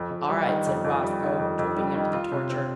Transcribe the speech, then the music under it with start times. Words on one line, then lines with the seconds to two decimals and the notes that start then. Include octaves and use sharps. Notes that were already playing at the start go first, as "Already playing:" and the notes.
"All right," said Roscoe, drooping under the torture.
Already playing: F2
0.10 F2
0.29 G3
0.48 D#3
0.66 F2
0.84 F2
1.03 G3
1.21 D#3
1.39 F2
1.58 F2
1.76 G3
1.95 D#3
2.13 F4
2.32 C3
2.50 C4